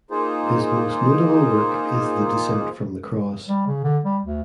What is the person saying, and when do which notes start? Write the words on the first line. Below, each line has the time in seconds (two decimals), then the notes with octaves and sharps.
His most notable work is the Descent from the Cross.
0.11 A#3 D#4 F4 G#4 C5
3.49 G3
3.67 C#3
3.84 D3
4.04 G3
4.24 D2